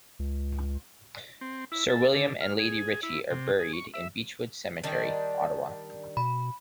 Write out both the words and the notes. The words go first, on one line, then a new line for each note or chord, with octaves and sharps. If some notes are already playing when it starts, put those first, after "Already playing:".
Sir William and Lady Ritchie are buried in Beechwood Cemetery, Ottawa.
C#2
C4
E4
A4
D3
F6
G#4
E4
C3
G#4
C#6
E5
D#3 G3 D4
B2 B5